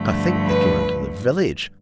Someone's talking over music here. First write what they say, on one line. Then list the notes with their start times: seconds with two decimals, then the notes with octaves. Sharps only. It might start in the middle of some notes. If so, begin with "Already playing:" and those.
I think they came into the village.
Already playing: G2 D3 F3 A3
0.49 B4